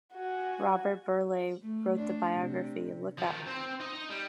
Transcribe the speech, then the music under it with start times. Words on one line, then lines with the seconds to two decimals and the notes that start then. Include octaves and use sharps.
Robert Burleigh wrote the biography Look Up!
0.13 F#4 G#5
1.62 A3
1.96 D4
2.35 C3
3.18 D#3 F3
3.47 C4 C5
3.80 D#4 D#5
4.10 G3